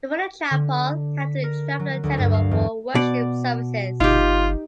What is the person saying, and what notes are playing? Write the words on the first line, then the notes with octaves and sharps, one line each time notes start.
Before the chapel, they had to travel to Tenero for worship services.
D3
B6
A#4
F#3
D2
G2
F5
E2
B2 D5
G1 D#4 F4 G4